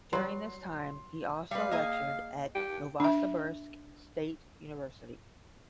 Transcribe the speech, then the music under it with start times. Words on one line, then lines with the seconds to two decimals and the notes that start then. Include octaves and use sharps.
During this time he also lectured at Novosibirsk State University.
0.13 F#3 G3 B4 C6
1.51 G3 B4 F5
1.71 A#3 G#4 D#5
2.55 G4
3.00 D4 E5